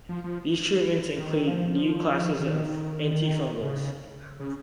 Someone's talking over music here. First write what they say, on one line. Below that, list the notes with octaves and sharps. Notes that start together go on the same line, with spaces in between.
These treatments include new classes of antifungals.
F3
F3
D#3
F3
D#3
C#3
C#3